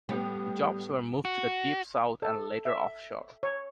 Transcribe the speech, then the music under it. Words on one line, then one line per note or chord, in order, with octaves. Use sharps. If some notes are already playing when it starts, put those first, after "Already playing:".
Jobs were moved to the Deep South and later offshore.
A2 G3 B3 G4
F#4
A4
E5
C#5